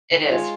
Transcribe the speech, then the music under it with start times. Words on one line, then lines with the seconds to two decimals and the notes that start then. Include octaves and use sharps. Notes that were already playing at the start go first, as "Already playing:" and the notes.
It is.
0.11 D#3
0.31 G#3 F4 C#5